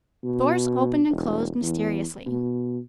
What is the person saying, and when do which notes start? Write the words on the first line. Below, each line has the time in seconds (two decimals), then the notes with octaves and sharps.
Doors opened and closed mysteriously.
0.24 B2
1.11 E1
1.62 E2
2.27 B2